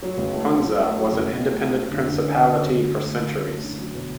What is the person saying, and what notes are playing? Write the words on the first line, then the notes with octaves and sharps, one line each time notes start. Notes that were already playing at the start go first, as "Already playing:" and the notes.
Hunza was an independent principality for centuries.
F#3
C#2
A3
C#3
F#3
A3
F#3
C#2
C#2
A3
C#3
C#3
D3
D3
C#4
C#4
C#4
D2
C#4
A3
D2
C#4
A3
D3
F#3
B2